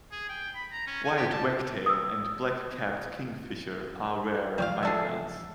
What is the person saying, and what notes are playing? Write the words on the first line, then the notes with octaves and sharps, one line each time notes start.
White wagtail and black-capped kingfisher are rare migrants.
G#4
G5
B5
A#5
C#4
G#5
G4
A5
D#6 E6
E3 F3 G3 C#5 F5
G#4 A4 E5